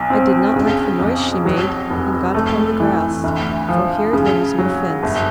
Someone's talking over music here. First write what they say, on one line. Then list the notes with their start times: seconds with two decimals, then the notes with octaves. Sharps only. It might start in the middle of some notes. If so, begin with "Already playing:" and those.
I did not like the noise she made, and got upon the grass, for here there was no fence.
Already playing: B1
0.10 C4
0.56 C#3
1.00 F2
1.45 F#3
1.90 F1
2.35 A3
2.80 E3
3.24 D2
3.69 F3
4.13 C#3
4.58 F#3
5.03 G1